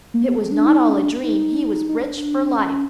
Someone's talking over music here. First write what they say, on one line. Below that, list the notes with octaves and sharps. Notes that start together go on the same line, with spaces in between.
If it was not all a dream, he was rich for life.
A#3
B3
C4
D4
D#4
D#4
C#4
D4
D#4
D#4
D4
C#4